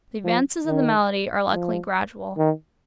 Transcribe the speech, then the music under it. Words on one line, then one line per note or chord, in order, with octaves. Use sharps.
The advances of the malady are, luckily, gradual.
F3
D#3
F3
D#3